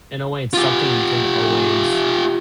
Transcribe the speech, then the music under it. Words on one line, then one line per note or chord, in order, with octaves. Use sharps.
in a way, it's something you can always
F4 G4